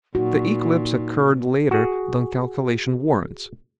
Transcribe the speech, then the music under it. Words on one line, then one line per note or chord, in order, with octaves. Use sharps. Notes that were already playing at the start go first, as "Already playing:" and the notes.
The eclipse occurred later than calculation warrants.
A#2 D#4 F#4
F#4 G#4